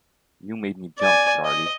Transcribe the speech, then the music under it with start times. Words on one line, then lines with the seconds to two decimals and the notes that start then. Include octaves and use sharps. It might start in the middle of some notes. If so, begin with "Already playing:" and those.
You made me jump, Charley.
0.98 D5 G#5
1.45 D#5